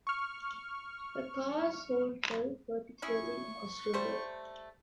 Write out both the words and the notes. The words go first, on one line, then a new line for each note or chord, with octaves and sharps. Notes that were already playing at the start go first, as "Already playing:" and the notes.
The car sold well, particularly in Australia.
C#6 F6
C#4 E4 G#4 C#6
G3 A3 C5